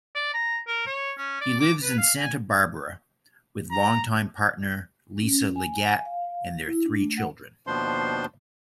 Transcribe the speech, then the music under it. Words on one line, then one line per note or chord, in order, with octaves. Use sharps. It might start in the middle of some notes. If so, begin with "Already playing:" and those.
He lives in Santa Barbara with longtime partner Lissa Liggett and their three children.
D5
A#5
A#4
C#5
C#4
D5
D6
B4
F5
G#5
A#5
C#4
G#5
F5
E4
D4
A3
F#5
D#2 B2 F3 D4 C5 C6